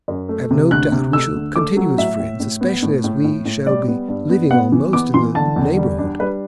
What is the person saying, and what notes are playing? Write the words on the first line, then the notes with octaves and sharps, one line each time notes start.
I have no doubt we shall continue as friends, especially as we shall be living almost in the neighbourhood.
F#2
A3
C3
D2 F#6
C3
A3 E6
D2
A3 D6
F#3
A2 E5
A2
A2
B3
A2
A2
A2
A2
G3 D5
B3
G2
B3
B3 F#5
E3
B3 D6
E3 C6
D3 A5
E2
G3
D4
G3 B4